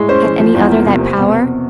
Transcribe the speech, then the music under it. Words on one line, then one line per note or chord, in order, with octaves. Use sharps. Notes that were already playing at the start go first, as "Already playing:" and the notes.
Had any other that power?
Already playing: A2 G#3
C#4 C5
E3
F3
E2
A#3
C3
C4
B2